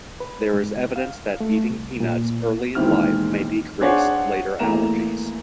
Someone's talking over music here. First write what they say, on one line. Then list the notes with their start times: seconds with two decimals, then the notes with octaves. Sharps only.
There is evidence that eating peanuts early in life may decrease later allergies.
0.20 B4
0.54 G#2
0.76 C#2
0.96 F5
1.40 A3
1.70 C2
2.00 A#2
2.75 E1 D#2 G#2 C4 E4 F6
3.81 D4 G#4 C5 C#5 F5 F#5
4.59 E2 A3 A#3 A#5 E7